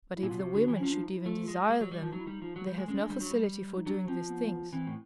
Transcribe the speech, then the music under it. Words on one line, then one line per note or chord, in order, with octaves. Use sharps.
But if the women should even desire them they have no facility for doing these things.
E4
A#2
B2 F4
C3 F#4
D3
E3
F3 C#4
D4
D#4
E4
A3 F4
G#3
G#3
F#3
G3
F3
F#3 D#4
E4
G3 D#4
F3
F#3
G3
G#3
G#3 C#4
G#3 D4
G3
F#3
G3
D#4
F#3 D4
F3 C4
B3
A#3
B3
E3 C4
A2